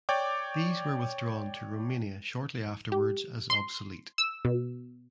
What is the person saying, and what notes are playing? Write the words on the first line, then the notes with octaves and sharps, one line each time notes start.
These were withdrawn to Romania shortly afterwards as obsolete.
C#5 D5 G5 D6
G4
C6
E6
B2